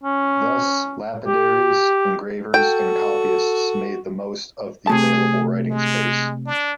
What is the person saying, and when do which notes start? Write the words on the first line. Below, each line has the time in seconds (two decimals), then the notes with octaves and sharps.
Thus, lapidaries, engravers and copyists made the most of the available writing space.
0.04 C#4
1.27 G4
2.54 F#4 A4 G5
4.87 C3 A3 G#4 A5
5.71 G#3
6.47 D4